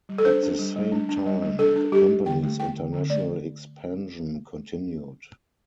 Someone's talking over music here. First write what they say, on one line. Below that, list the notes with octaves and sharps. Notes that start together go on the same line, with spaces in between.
At the same time, the company's international expansion continued.
G3
A4
D4 C5
D4
G3
G3
D4
D4
G3
G3
D4 A4
D4
G3 G4
G3
D3 G5
A3
E4 G5
D3
D3
A3 D5